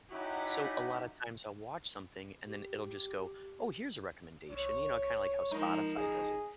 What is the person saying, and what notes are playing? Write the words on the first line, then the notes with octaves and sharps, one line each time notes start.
So, a lot of times I'll watch something and then it'll just go, "Oh, here's a recommendation," you know, kinda like how Spotify does it,
C#4 D#4 E4 F#4 G4 F#5
G4
C2 C#5
F3 G#3 D#4 A#4
A1 G#4 D#5